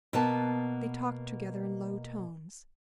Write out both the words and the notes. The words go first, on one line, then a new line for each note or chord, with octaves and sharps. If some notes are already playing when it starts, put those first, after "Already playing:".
They talked together in low tones.
B2 A#3 B3 A5